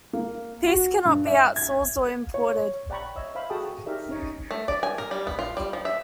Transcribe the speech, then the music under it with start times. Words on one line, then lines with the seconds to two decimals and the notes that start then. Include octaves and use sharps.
Peace cannot be outsourced or imported.
0.13 A#3
0.67 F#4
1.05 G2
1.27 E5
1.56 G#6
2.34 C#5
2.90 D5 F#5 G5 A#5 B5 C#6
3.16 C#5 D#5 E5 E6
3.35 C5 E5 F5 B5 E6
3.50 F#4 G#4 A4 G5 A5 D#6
3.86 D#4 G4 A#4 D5 E5
4.09 C#4 D#4 C#5
4.51 A3
4.68 D5
4.83 G#5
4.98 A#4
5.11 G3
5.27 B3
5.39 F4
5.57 G3
5.73 F3
5.85 E5